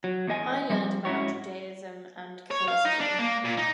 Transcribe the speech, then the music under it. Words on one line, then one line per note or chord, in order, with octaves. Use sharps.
I learned about both Judaism and Catholicism.
F#3
E2 A2 D#5 G#5
F3 G3 C4
G#2 C#4 E4 F#4 C#5
C#5
F5
D#4
D4
A#3
A#2
D#4